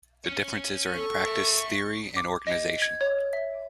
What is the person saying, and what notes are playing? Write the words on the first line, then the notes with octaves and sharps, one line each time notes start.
The differences are in practice, theory and organisation.
C#4 C#5
A4 C#6
A#4 E5
D6
D#5
G#6
C#5
E5